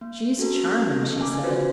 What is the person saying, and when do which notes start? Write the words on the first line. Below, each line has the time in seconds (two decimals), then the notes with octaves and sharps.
"She's charming!" she said.
0.01 A#3
0.38 C#4 F#4 A4 A#4
1.03 B3 C#4 A4 D#5
1.19 A#4 G#5 D6
1.43 F4 F#4 B4 C5